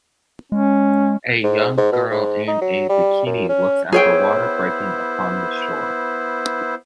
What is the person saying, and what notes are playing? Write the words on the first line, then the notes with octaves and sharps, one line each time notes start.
A young girl in a bikini looks at the water breaking upon the shore.
G#3 C#4
G#2
G#2
B2
G#2
D#4
F#3
G3
F#2
C#4
B3 E4 G#4 C5 C#5 G5